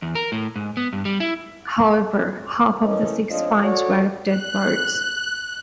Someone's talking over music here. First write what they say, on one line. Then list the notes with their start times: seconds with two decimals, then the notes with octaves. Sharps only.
However, half of the six finds were of dead birds.
0.02 E2
0.15 A#4
0.32 A2
0.56 G#2
0.77 B3
0.93 G2
1.05 G3
1.20 E4
2.83 E3 A3 C#4 A#4 D#5
3.30 F3 C4 D4 D#4 C#5 D#5
3.64 F#4 A4 C#5 D5
4.26 F#6